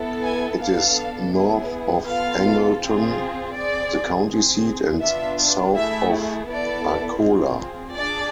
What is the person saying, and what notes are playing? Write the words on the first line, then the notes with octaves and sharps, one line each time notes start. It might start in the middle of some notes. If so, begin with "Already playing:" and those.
It is north of Angleton, the county seat, and south of Arcola.
Already playing: B3 E4 A4
G#5
B3 D4 A4 F5
B3 E4 G#4
B3 F4 A4 F5
C4 F4 G#4
C4 G#4 D5
C4 G#4
B3 D4 F4 E5
A3 E4 G#4 E5
B3 E4 A4 D5
C4 F4 G#4
D4 G#4 D5